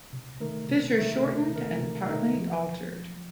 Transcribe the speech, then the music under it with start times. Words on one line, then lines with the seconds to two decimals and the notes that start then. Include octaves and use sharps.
Fischer shortened and partly altered.
0.13 C3
0.40 D#3 A3 D#4 A#4
0.68 C3
0.97 D#3 A3 D#4 A#4
1.25 C3
1.52 D#3 A3 D#4 A#4
1.81 C3
2.09 D#3 A3 D#4 A#4
2.37 F3